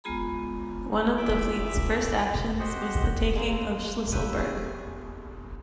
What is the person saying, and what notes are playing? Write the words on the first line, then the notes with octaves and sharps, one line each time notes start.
One of the fleet's first actions was the taking of Shlisselburg.
G#3 B3 F4 G#4 A#5 B5
E2 A#2 E5 B5 D6
F#4 G4 C5 D#5 F#5
E3 G#3 A#3
A#3 B3 E4 G4 B4
A3 G#4